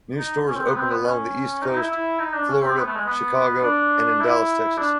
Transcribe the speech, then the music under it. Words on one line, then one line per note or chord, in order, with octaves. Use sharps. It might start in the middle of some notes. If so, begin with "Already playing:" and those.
New stores opened along the East Coast, Florida, Chicago, and in Dallas, Texas.
D#4
C#4
C4
B3
C4
B3
C#4
D#4
E4
E4
D#4
D4
C#4
C4
B3
A3
G#3
B3
D4
E4
D4